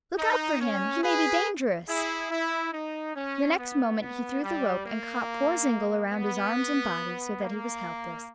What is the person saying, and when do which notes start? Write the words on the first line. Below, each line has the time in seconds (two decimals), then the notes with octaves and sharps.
"Look out for him; he may be dangerous." The next moment he threw the rope and caught poor Zingle around his arms and body, so that he was helpless.
0.18 D#4
0.61 C#4
1.02 G#4 B4
1.88 E4 G#4
2.30 E4
2.72 D#4
3.16 C#4
3.59 B3
4.00 B3
4.44 G3
4.85 A#3
6.13 B3
7.40 A#3